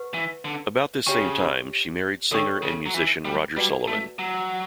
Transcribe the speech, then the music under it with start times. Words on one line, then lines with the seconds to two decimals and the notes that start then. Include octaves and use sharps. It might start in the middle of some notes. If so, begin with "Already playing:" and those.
About this same time, she married singer and musician Roger Sullivan.
Already playing: B4 F#5 C#6
0.14 E3
0.45 D3
1.06 C#3 G4 C#5 G5 C#6
2.32 D3 A4 C#5 G5 C#6
2.63 C#3
2.86 F#3
2.94 E3
3.25 G3
3.56 G3 F#4 B4 D5 F#5 A5
3.88 A3
4.19 F#3